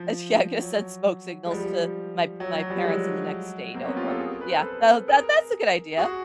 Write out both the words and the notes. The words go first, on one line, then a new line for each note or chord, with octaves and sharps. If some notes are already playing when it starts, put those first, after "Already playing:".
Eh sh yeah, coulda sent smoke signals to my my parents in the next state over. Yeah, that w that that's a good idea.
Already playing: F3
F#3
G#3
F3 G3
F#3
F#3
F3 G3
F#3 G#3
A#3 C4
B3 C#4
F4 G4
G4 A4
G#4 A#4
B4
C5
A4 B4
G#4 A#4
F#4 G#4